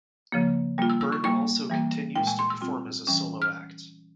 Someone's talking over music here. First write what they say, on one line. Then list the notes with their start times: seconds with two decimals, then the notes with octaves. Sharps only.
Byrne also continues to perform as a solo act.
0.32 C#3 F3 A#3
0.78 G3 A#3 F4
0.90 E6
1.01 E6
1.12 C#6
1.24 G3 A#3 E4 C#6
1.70 E3 G3 A#3
2.16 A#2 G#3 E4 G5
2.27 G#5
2.39 C6
2.50 E6
2.61 G3 C4 F4
3.07 E3 G3 C#4
3.42 F6